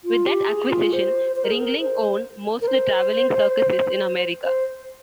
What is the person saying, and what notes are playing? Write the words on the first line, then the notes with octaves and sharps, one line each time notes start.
With that acquisition, Ringling owned most of the traveling circuses in America.
F4
G4
G#4
F4
C5
C5
A#4
G#4
A#4
C5
A#4
C5
C5